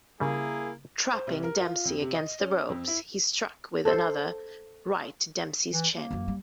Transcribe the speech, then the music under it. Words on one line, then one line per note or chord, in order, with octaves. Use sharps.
Trapping Dempsey against the ropes, he struck with another right to Dempsey's chin.
C#3 G3 A#3 E4 G#4
C5
C2
A#4
F4
F2
C3
D#5
C#4
F2
E4
A4 C5
E3
A#3
F#2 E3
G3